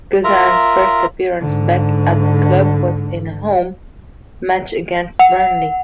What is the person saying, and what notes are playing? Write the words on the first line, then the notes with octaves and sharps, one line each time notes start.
Guzan's first appearance back at the club was in a home match against Burnley.
F4 A#4 E5 A#5
G#2 D3
F#5